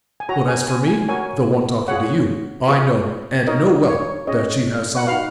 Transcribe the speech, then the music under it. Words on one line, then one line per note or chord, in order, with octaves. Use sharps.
But as for me--the one talking to you--I know, and know well, that she has some.
G#5
F#4 C#5 A#5
G#5
G#5
G#5
F#4 A#4 C#5 G#5
F4 G#4 C#5 F#5
F4 G#4 B4
D#4 A#4 C#5 D#5
C#5
C#4 G#4 C#5 D#5
F#5
D#4 F#4 B4 F5